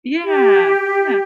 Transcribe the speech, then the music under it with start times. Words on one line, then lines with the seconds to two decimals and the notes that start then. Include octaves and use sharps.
Yeah, yeah.
0.25 G4